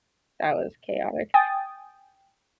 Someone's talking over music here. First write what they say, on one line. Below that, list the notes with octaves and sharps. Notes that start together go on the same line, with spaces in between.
That was chaotic.
G5 G#5 D#6 A6